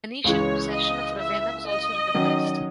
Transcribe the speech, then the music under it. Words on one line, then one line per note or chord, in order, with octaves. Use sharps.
Venetian possession of Ravenna was also recognized.
C#2 C#3 E3 G#3 C#5
D#5
E5
D#5
D#3 F#3 C#4